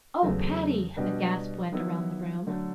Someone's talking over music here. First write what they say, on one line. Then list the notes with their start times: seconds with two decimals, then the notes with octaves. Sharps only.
"Oh, Patty!" a gasp went around the room.
0.22 E2 C#3 F#3 A3
0.96 B2 G3 B3 D4 G4
1.72 D#3 F#3 B3 E4
2.47 D3 F#3 A3